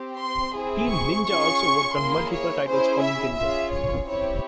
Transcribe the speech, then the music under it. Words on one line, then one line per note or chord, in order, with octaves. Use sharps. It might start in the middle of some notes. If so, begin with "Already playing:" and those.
Team Ninja also worked on multiple titles for Nintendo.
Already playing: C4 G4
C6
C4 E4 G#4
C#6
C#4 F4 G#4 C#6
A#3 E4 G#4 C6
C#5
C#4 E4 G#4 C5
E5
C#4 F4 G#4 E5
C#5
C4 E4 G4 C#5